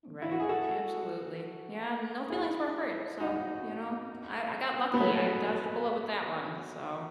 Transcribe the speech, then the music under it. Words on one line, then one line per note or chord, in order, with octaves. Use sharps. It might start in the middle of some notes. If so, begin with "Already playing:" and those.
Right, absolutely, yeah, no feelings were hurt, so, you know, I I got lucky, I dodged a bullet with that one, so
E4
F#4
G#4
F#4 A4
E4 G#4
D#4 F#4
B3
F#3 A3